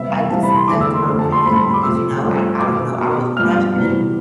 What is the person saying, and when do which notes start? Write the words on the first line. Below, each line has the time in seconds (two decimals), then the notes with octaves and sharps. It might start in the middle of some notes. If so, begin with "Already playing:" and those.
I just left it on preheat because, you know, I I don't know, I was rushing,
Already playing: C3 G3 B3 E5
0.10 F5
0.30 C3 E3 G3 C4 A5
0.43 B5
0.56 C6
0.68 E2 D3 A3 D6
0.81 E6
0.94 C6
1.07 F2 D3 A3 C4
1.19 A5
1.32 C6
1.45 A2 G3 C4 B5
1.54 C6
1.64 B5
1.74 D6
1.83 C3 F3 A3 E6
2.21 G2 F3 A3 C4
2.60 B2 B3 D6
2.98 B2 B3
3.37 G2 F3 B3 F6
3.75 C3 E3 G3 B3